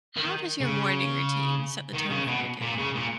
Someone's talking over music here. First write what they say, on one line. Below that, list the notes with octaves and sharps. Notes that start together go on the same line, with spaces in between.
how does your morning routine set the tone for your day?
D#3
C#3
D#3
C#3
B2
A#2
C#3
A#2